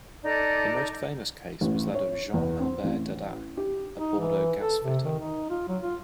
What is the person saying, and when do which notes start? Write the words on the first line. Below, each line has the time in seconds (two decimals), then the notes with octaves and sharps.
The most famous case was that of Jean-Albert Dadas, a Bordeaux gas-fitter.
0.23 D4 D#4 A4 D5
1.61 A1
1.94 C#5
2.34 E2
2.60 C4
2.84 A1
3.57 G4
3.99 D#4
4.19 E3
4.59 A4
4.84 C3
5.05 D#3
5.20 D#4
5.50 F4
5.68 F#3
5.82 F4